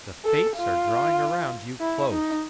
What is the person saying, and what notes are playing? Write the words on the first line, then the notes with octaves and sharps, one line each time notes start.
The fates are drawing around you close.
A4
F4
E4
D#4